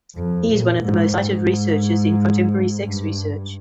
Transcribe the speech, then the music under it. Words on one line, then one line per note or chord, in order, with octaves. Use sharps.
He is one of the most cited researchers in contemporary sex research.
F2
A#2
G#2
G#2
G2